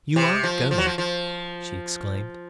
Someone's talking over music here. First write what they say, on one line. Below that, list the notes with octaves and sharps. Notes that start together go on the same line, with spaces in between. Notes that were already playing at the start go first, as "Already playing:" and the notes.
"You aren't going?" she exclaimed.
C3
F3
F3
F#3
F3
F3